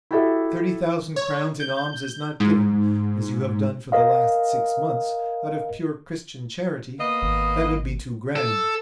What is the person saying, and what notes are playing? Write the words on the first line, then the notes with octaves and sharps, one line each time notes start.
Thirty thousand crowns in alms is not given, as you have done for the last six months, out of pure Christian charity; that would be too grand.
E4 F#4 G4 A4 D#5 E5
C#5
G6
G#2
A#4 D#5 F5
A#3 B3 D#5
G#1
A4